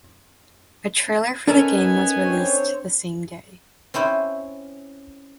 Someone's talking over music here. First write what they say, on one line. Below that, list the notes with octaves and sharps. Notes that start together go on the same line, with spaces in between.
A trailer for the game was released the same day.
B3 C#4 D#4 A4 A#4 G#5
C4 D4 C5 C#5
C4 C#4 E4 C5